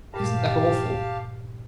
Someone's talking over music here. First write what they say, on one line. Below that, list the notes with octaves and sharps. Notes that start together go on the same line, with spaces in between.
Isn't that awful!
G2 A#2 G4 F5 A5